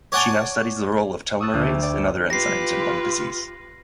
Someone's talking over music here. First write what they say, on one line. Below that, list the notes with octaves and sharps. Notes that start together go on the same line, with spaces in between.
She now studies the role of telomerase and other enzymes in lung disease.
C#5 D5 F#5 G#5 A5 D6
C#6 D#6 E6 F#6 A6
D2
G4
D5 G5
F4 G4 B4 A#6 C7